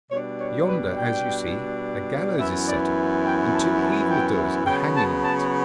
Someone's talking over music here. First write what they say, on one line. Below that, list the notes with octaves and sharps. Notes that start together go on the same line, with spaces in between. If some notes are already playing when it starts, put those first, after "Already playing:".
Yonder, as you see, a gallows is set up, and two evil-doers are hanging on it.
B2 G3 D4 C#5
C#5
B4
G5
F#2 E3 B3 E4 E5
D5
G5
A5
A5
G5
C#3 F#3 B3 G5
A5
A5